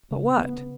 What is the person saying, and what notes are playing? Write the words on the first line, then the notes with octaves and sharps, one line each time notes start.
But what?
C#3
B3